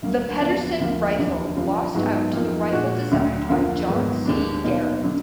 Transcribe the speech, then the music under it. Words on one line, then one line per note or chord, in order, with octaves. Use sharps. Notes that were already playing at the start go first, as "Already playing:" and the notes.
The Pedersen rifle lost out to the rifle designed by John C. Garand.
D2 D3 F#3 A#3
F2 D3 F3 B3
D2 D3 F3 A#3
F1 D#2 D3 F#3 D4
F#2 D3 F3
G#2 F#3 B3 D#4 F#4
F2 F3 A#3 D#4
A#2 G#3 D4 F#4
D2 D3 F#3
F2 D3 F3 A#3
G#2 D#3 F#3 B3
D#2 D3 G#3 D4
B1 B2 F#3 A#3 D#4
D3 F#3